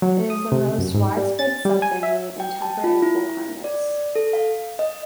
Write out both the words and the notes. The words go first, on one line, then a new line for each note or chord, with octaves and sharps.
It is the most widespread subfamily in temperate and cool climates.
F#3
D#6
C3
F#2
G#2
G3
A6
G3
G#5
E5
G5
A5
F4
E4
D5
A4
F5
D#5